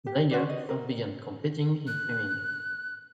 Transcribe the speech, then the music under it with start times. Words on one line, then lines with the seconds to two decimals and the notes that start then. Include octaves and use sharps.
Zeiger first began competing in swimming.
0.07 G4
0.31 C#4 F#4 C5 D5
0.49 D#5
0.69 A#4
1.87 F#6